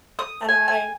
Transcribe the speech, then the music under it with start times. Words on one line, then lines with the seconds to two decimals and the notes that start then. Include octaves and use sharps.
And I
0.19 D#6
0.49 G#5
0.68 G#5